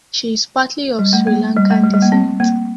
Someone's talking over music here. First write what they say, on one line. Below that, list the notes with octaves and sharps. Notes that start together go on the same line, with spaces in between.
She is partly of Sri Lankan descent.
G3
A3
A#3
G3
A3
G3
G3
A#3
C4
A#3